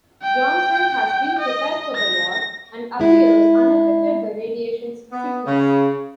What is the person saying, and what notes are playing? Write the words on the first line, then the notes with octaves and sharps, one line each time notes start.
Johnson has been prepared for the war, and appears unaffected by radiation sickness.
G5
D#5
A#6
G#3 E4
B3
C#3